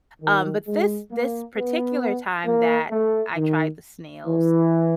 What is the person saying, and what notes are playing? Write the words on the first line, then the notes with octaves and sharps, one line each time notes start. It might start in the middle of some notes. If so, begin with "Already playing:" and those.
Um, but this this particular time that I tried the snails,
D#3
G#3
A#3
B3
A#3
A3
D#3
E3